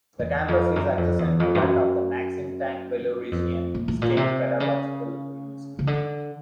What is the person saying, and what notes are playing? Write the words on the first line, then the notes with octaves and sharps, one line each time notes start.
The campus is adjacent to that of the Maxim Tank Belarusian State Pedagogical University.
E2
F2
F#2
F2
E2
F2
G2
F#2
F2
A#2
A2
A#2
C3
C#3
C#3
D3